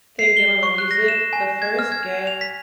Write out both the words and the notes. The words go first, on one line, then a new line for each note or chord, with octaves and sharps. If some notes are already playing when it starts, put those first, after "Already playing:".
Think dealing with music. The first gadget
C7
G7
C#6
F#6
A#6
E7
G#5
G#6
F6
G#6
F7
B6